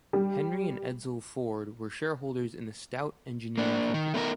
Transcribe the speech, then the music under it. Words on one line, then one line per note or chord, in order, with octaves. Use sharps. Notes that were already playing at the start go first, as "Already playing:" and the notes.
Henry and Edsel Ford were shareholders in the Stout Engineering Company.
G3
A#3 D4
D#3
A3 B3 D#4 A#4